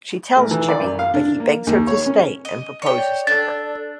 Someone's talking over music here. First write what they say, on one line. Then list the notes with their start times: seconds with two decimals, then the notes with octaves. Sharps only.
She tells Jimmy but he begs her to stay and proposes to her.
0.36 A1
0.51 E3
0.68 D5
0.81 F#2
0.99 F5
1.14 D4
1.40 A#3
1.67 D#2
1.87 C#5
2.06 C#4
2.45 D#5
2.82 C#5 D5 G5
3.27 D4 A4 A6